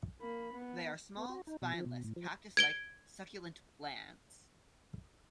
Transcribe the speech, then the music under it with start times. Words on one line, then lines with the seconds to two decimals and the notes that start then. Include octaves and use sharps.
They are small, spineless, cactus-like succulent plants.
0.21 A#3 B5
0.54 B3
1.17 B3
1.29 F#4
1.47 D#4
1.62 B2
1.73 F3
1.86 B2
2.04 A2
2.16 F3
2.57 G#6 D7 G7